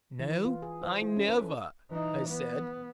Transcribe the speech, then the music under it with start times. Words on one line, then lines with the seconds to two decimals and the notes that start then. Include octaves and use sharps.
"No, I never," I said.
0.20 E3
0.31 B4
0.45 F4
0.62 G#4
0.83 C5
1.02 E4
1.17 C#4
1.28 B4
1.42 A4
1.91 E3 D#4
2.29 B3